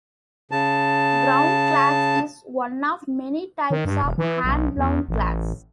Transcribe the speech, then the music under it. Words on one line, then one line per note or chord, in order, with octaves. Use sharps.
Crown glass is one of many types of hand-blown glass.
C#3 A5
D#3
G2
E1
E3
B1
E2
A1